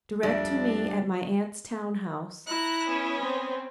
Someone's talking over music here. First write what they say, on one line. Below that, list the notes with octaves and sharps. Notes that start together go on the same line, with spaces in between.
Direct to me at my aunt's town house.
F2 G3 D4 E5
E4 A#5 F#6
B3 C#4
C4